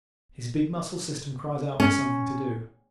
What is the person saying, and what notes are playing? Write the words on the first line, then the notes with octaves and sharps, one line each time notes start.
His big muscle system cries out for something to do.
C#4